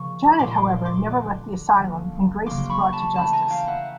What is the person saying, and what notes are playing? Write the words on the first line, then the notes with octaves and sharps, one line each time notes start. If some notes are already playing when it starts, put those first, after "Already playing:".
Janet, however, never left the asylum, and Grace is brought to justice.
Already playing: C#3 F3 A#3 C#6
A#2 F3 G#3 C#4 C6 D6
C6 D6
D3 G3 B3
D3 F3 A#3 C#4
C#3 F#3 A#3 C#4 C6 D6
B5 C#6
A5 B5
E3 A3 C#4 A5 B5
G#5 A#5
F5 G5
E5 F#5